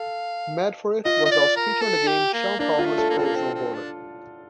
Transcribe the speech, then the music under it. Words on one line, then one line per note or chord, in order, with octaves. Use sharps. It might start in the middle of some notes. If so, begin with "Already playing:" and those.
"Mad For It" was also featured in the game "Shaun Palmer's Pro Snowboarder".
Already playing: A4 F5
F4 D#5
D#5
D5
A#4
A4
G4
A#3
A#3 D4
F4
A3
A4
A#3
C4 F4
A#3
C4
C4
D4